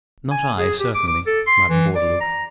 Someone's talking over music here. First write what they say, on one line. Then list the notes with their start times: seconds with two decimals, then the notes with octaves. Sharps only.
"Not I, certainly, Madam Gordeloup."
0.31 G#5
0.58 G#4
0.80 G4
0.95 D6
1.08 D6
1.26 A4
1.47 C6
1.69 E3
1.95 D5
2.21 A#5